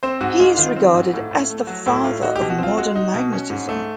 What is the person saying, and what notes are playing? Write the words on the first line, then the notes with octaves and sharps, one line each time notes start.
He is regarded as the "Father of Modern Magnetism".
C4 C5
G#2 F#4
G#3 F4
D#3 F4
C4
G#2
A2
A2
A3
F#3 F#4
A2 E4
A2 F4
D#4 F#4
G4
B2
F#4
C4 F4
G#3 F#4
D#4
B2
C#4
G#2
A3